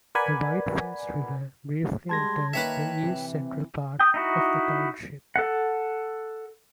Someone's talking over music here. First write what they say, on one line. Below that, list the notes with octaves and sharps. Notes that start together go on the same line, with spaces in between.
The Whiteface River briefly enters the east-central part of the township.
A#4 B4 D5 F#5 G#5 B5
G3 G#3 A5 C6 G#6 A#6
D#3 A#3 B4 C#5 E5 G5
C3 E3
C4
G5 D#6
D#4 E4 F#4
A4 F#5